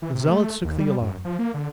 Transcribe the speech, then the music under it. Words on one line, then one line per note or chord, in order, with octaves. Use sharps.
The zealots took the alarm.
E3
C3
A3
D#2
G3
F#2
F3
A#3
D3